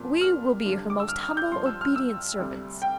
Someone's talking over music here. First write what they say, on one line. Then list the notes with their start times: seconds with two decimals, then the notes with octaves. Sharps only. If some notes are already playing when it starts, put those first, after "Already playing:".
We will be her most humble obedient servants.
Already playing: C2 A#2 F3
0.21 F6
0.66 G2 D3 G3
0.90 D6
1.00 E6
1.09 F6
1.23 F6
1.37 G6
1.52 G2 F3 C6
1.66 E6
1.81 F6
1.96 E6
2.39 D2 C3 G3
2.82 G5